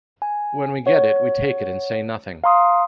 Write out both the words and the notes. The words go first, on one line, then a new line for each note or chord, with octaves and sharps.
When we get it, we take it and say nothing.
G#5
C#5 F#5
F5 A#5 C6 D#6